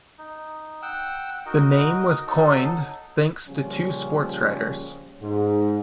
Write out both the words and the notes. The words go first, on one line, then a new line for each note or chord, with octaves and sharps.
The name was coined thanks to two sportswriters.
D#4
F#5 G5 E6
D#4 F#4 A#4 D#5
F#3 D#4 A4
A#2 C#3 F3 G3 C#4
G#2